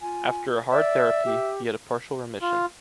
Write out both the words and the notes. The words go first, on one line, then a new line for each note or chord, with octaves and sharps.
After a hard therapy, he had a partial remission.
F4 G#5
D5 E5
G4
F4